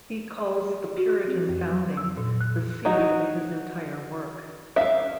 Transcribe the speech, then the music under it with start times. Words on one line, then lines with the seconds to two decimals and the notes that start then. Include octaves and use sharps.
He calls the Puritan Founding the "seed" of his entire work.
0.98 F#4
1.27 C4
1.49 F2
1.71 F#3
1.97 E6
2.17 A#2
2.41 F#6
2.85 F#3 D#4 F#4
4.76 E5 F5